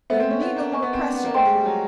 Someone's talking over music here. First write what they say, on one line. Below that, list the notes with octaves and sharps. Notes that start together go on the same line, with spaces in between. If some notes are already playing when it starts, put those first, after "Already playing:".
"You mean ole oppressor!"
B3 A4 C5 E5
C4
C#4
B3
A#3
A#3 D#5 G#5 C#6
B3
C4
D4
B3
A#3
A3 C5 D#5 G5 C6
G#3
G3
F#3